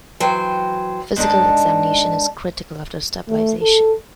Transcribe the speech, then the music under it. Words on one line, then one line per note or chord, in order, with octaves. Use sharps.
Physical examination is critical after stabilization.
E3 F#3 C5 G5
G#2 D4 D#4 A4
A3
A4